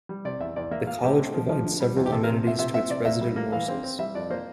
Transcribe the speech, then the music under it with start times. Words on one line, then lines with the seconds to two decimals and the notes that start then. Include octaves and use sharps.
The college provides several amenities to its resident Morsels.
0.09 G3
0.25 C3 D5
0.40 E2 E5
0.56 E2 D5
0.71 A#3 E5
0.87 A#3 F5
1.03 A2 G4
1.19 C4
1.34 F3
1.50 F3
1.66 D3
1.80 G3
1.97 E2
2.06 G4
2.12 C3 A4
2.24 A#4
2.28 C3
2.43 C3 E5
2.59 C3 E5
2.74 C4 E5
2.90 C3 D5
3.05 A#3 E5
3.21 G3
3.36 A#3
3.52 E3 F5
3.68 C4
3.84 C4
3.99 G3 E5
4.15 F2 D5
4.30 A#3 C5